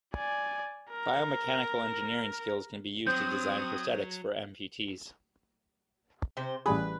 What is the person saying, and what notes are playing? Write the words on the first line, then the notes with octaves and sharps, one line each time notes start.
Bio-mechanical engineering skills can be used to design prosthetics for amputees.
D5 G#5
A#4
F#3 C4 D#6 G6
C3 C5
A1 G3 G#4 B4